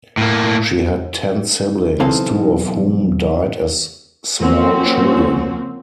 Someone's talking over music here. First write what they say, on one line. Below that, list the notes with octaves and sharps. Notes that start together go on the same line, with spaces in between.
She had ten siblings, two of whom died as small children.
A2 A#3
B1 E3 C4 D#4 A4 F5
F3 A#3 C4 C#4 F#4